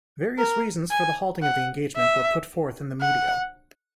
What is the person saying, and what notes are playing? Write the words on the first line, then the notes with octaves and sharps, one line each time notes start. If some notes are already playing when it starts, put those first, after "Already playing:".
Various reasons for the halting of the engagement were put forth in the media.
A#4
G#5
F#5
E5
F#5